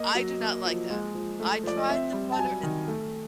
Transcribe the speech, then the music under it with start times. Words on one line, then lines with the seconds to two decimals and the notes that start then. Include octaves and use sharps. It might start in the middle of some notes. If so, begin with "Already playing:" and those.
I do not like that. I tried the butter, it
Already playing: A#3 D#5
0.15 F#3
0.40 A#3
0.65 F3
0.90 G#3
1.15 F3
1.40 A3
1.64 F3 D5
1.78 D#5
1.89 C4 E5
2.13 G3
2.32 A5
2.39 F#3 G#5
2.63 D#3
2.88 A3